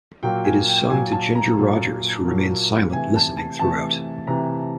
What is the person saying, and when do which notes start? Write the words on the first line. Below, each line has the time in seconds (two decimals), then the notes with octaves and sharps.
It is sung to Ginger Rogers, who remains silent listening throughout.
0.23 A#2 F#3 A#3 G5
0.44 G#5
0.68 G5
0.90 A#2 F#3 A#3 G#5
1.12 A5
1.35 A#5
1.58 A#2 F#3 A#3
2.25 A#2 F#3 A#3
2.92 C3 E3 A3 G#5
3.15 A5
3.37 A5
3.59 C3 E3 A3 A5
4.27 C3 E3 A3 A#5